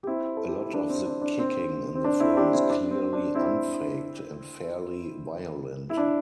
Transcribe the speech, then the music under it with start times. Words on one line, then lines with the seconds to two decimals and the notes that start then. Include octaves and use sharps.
A lot of the kicking in the film is clearly unfaked and fairly violent.
0.03 G4
0.07 C4 E4
0.37 A4
0.48 G4
0.61 E4
0.74 D4
0.89 C4
1.06 D4
1.22 D4
1.39 C4
1.95 C4
2.04 D4
2.20 C4 E4
2.37 D4 G4
2.53 C4 E4
2.70 D4
2.91 C4
3.13 D4
3.35 C4 E4
5.90 E4
5.97 D4